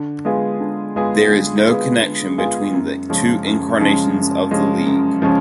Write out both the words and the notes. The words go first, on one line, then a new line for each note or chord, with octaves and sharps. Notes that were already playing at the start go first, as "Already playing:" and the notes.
There is no connection between the two incarnations of the league.
Already playing: D3
G#3 B3 F4 G#4
D3
G#3 B3 F4 G#4
D3
G#3 B3 F4 G#4
D3
G#3 B3 F4 G#4
F#2
C#3 F3 G#3 C#4
F#2
C#3 F3 G#3 C#4
F#2
C#3 F3 G#3 C#4
F#2
C#3 F3 G#3 C#4